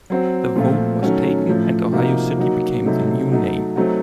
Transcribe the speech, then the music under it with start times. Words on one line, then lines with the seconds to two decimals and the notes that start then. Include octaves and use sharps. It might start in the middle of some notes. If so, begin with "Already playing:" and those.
The vote was taken and Ohio City became the new name.
0.10 F#3 C4 F#4
0.56 A#2 F3 A3 C4 F4
1.02 D#3 F#3 A3 C#4 F#4
1.48 A2 F3 A3
1.93 C3 F3 A#3 D#4 F#4
2.39 F#3 A#3 D#4 F#4
2.85 C3 F#3 A3 D#4
3.31 F#3 A3 D#4 F#4
3.76 F#3 A3 C4 D#4 F#4